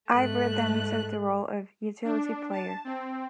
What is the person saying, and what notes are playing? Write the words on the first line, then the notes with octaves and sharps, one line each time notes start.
Aybar then took the role of utility player.
G#2 A3 F#6
D4
A5
C4